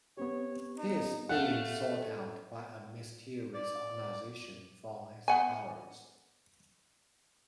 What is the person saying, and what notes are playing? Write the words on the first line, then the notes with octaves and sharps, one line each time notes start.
He is being sought out by a mysterious organization for his powers.
B3 C4 G4 C#5
D#4
A3 F5 F#5
D5
B3 F#5 G#5